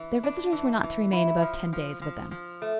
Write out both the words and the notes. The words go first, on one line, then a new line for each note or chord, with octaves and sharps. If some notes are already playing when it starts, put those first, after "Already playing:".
Their visitors were not to remain above ten days with them.
Already playing: E3
D4
E3
E3
E4
F3
F3
F3
F3
A3